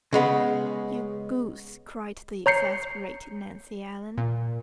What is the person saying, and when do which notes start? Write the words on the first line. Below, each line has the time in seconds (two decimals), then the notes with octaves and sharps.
"You Goose!" cried the exasperated Nancy Ellen.
0.13 C#3 G#3 B3
2.46 C#5 A#5 G6 C7 C#7
4.18 A#2